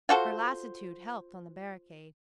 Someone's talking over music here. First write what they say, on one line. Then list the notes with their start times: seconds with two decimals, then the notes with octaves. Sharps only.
Her lassitude helped on the barricade.
0.09 F4 F#4 A4 C5